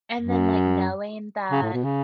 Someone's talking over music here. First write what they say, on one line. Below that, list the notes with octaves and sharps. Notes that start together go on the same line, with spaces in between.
And then, like, knowing that
F#2
C#3
A2
B2
C#3